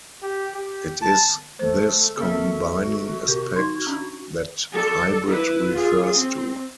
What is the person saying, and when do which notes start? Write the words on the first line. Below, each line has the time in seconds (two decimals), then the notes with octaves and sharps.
It is this combining aspect that "hybrid" refers to.
0.23 G4
0.54 G4
1.02 A5
1.59 A3 C5
2.17 C#3 A#3 A4 A#4 E5
2.32 C4 F#4
3.28 C3 G4 A#4
3.56 D#4 C6 G#6
3.87 C#4 D4
4.73 A4 D5
5.28 E4 B4
5.72 F4 G#4
6.14 C4